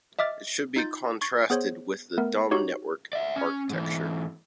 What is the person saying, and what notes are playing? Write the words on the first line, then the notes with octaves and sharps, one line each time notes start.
It should be contrasted with the dumb network architecture.
D#5 E5 D6 F6 A6
D#4 F4 G6 A6
C#6 G#6 A6 C7
B3 G#4 C5 C#5
A3 B3 A#4
D#4 F#4 G4 C#5
D5 E5
C#4
G#2 E3